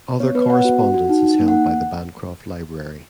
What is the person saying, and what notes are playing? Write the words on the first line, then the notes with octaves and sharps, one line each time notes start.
Other correspondence is held by the Bancroft Library.
B3 C#5
B3 B4
B3 F#5
F#4
F#4
F#4
D#4
D#4
A#3
F#5